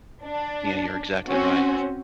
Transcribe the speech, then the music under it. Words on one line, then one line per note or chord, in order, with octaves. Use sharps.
Yeah, you're exactly right.
D4
C4 C#4 F#4